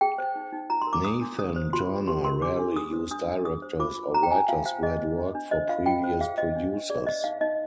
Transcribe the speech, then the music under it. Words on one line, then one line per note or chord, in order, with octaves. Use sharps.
Nathan-Turner rarely used directors or writers who had worked for previous producers.
G#4 G5
C5
D#4
D#4
F4 A#5
C6
A#4
D6
D4 D#6
D4
G#4 D#6
C5
F4 C6
F4
G4 C6
A#4 C6
D4 D6
D4
G#4 D#6
C5
D4 D#6
D4
G#4 D#6
C5
F4 D6
F4
C5 A#5
G5
F4 G#5
F4 F5
C5 F5
G#4 D#5
C5
D4
D4
C5 D#5
F4 F5
F4 G5
C5
G#4 F5
C5 D#5
D4
D4
G#4 D5
C5 D#5
D#4 F5
D#4 D#5